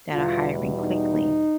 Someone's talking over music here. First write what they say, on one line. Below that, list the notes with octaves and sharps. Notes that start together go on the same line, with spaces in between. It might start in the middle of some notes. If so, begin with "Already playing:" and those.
that are hiring quickly.
E2 B2 G3 F4
D#4